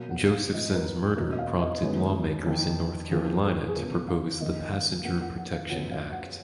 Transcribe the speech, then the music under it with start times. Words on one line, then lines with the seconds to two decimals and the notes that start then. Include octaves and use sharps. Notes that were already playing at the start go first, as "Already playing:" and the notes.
Josephson’s murder prompted lawmakers in North Carolina to propose the Passenger Protection Act.
Already playing: B2 F#3 A#3 F5
0.10 F#5
0.31 F5
0.53 G#2 F3 B3 D#5
0.75 A#4
0.85 B4
1.17 B2 F#3 A#3 A#4
1.32 D#5
1.39 F5
1.60 D#5
1.82 F#2 D#3 G#3 B3
2.46 F2 D#3 A#3
3.11 F2 F3 A#3 G#4
3.44 G#4
3.68 G#4
3.75 C#3 F3 B3 A#4
4.08 F5
4.40 F2 D#3 A#3 D#5
4.72 F5
5.04 F2 F3 A#3 F#5
5.21 F#5
5.37 F#5
5.53 F5
5.70 F#2 F3 B3 F#5
5.91 F5
6.12 F#5